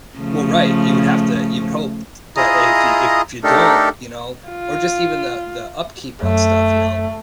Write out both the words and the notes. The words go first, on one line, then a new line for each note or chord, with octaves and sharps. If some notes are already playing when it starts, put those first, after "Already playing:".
Well, right, you would have to you would hope t but if you if you don't, you know, or just even the the upkeep on stuff, you know,
C#3 F3 A3
E4 F4 G#4 D#5 A#5 D#6
A3 D4 D#4 G4 A4 A#4
F4
F#2 A3